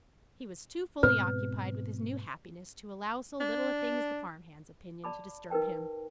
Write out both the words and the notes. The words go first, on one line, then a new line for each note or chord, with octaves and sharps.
He was too fully occupied with his new happiness to allow so little a thing as the farm-hand's opinion to disturb him.
G#2 B2 C4 B4
D4
D5 A5 B5 D6
D#4 A#4 B4 G5 A5